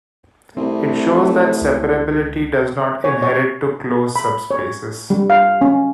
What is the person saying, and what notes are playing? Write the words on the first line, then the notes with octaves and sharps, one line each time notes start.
It shows that separability does not inherit to closed subspaces.
C2 A3 C4
C#2
C#5
C#5
B5
C#5
G3
F5
C#4